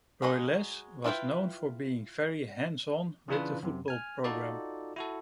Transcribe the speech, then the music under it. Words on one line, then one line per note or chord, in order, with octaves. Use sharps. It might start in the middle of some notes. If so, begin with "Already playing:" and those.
Broyles was known for being very hands-on with the football program.
F#3 G#3 D#5 B5
D4 E4 F4 B4 G5
C#3 E3 D4 F4 B4
F#2 C3
G#5 F6
D#4 F4 F#4 A4 D5
E4 F#4 A4